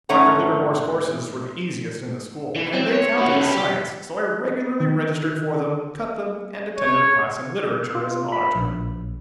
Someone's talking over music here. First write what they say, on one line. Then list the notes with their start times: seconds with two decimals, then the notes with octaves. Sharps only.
Dr. Livermore's courses were the easiest in the school and they counted as science, so I regularly registered for them, cut them, and attended a class in literature as an auditor.
0.09 G#2 A3 C#4 C#5 F#5 A#5
2.56 E3
2.73 C4
2.92 C#5
3.18 E4 F#4
3.31 C#4 B4
3.52 G4
4.80 D#3
6.77 C#5
7.95 F4
8.32 B5
8.55 A#1